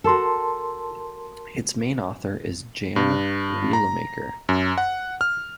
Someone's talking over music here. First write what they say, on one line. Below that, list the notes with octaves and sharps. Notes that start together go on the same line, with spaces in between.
Its main author is Jan Wielemaker.
F#4 A4 A#4 A5 C6
G2
A#5
F#2
F#5
F6